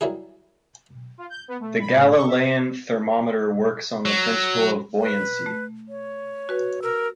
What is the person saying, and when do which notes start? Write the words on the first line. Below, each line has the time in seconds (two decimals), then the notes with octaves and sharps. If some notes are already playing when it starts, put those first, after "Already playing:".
The Galilean thermometer works on the principle of buoyancy.
0.01 D#3 F#3 G3 E4 G#4
1.18 F4
1.30 G6
1.48 B3
1.60 A3
1.80 B5
1.95 A2
2.15 C#6
2.27 E5
4.05 F#3
5.00 B4
5.46 A3
5.89 C#5
6.49 F#4 B4
6.82 A#4 E6